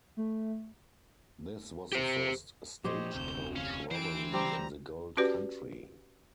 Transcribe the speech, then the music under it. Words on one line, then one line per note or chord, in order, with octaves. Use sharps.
This was the first stagecoach robbery in the gold country.
A3
G4 C5
A#2 F3 G4 C5 C#5 D#5
F1 D2 C3 G6
C#4 F5
E3 C5 G5 D7
G3 C4 G4 A#5
C#4 F#4 G4 B4 D5